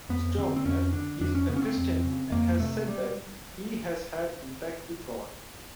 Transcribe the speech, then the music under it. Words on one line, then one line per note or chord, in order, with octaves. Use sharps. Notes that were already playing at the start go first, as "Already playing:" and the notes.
Stormare is a Christian and has said that he has had contact with God.
F2 B3
D3 C4
C4
F2 C#4
D3 D4
F2 D4
C#4
C#3 B3
C#4
C4
F2
C#3
F2 A#3
C3 A3
G3